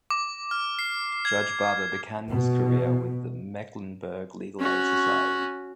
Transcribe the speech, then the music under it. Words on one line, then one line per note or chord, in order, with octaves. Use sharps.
Judge Barber began his career with the Mecklenburg Legal Aid Society.
D6
F6
C7
G#6
B2
C#4 F#4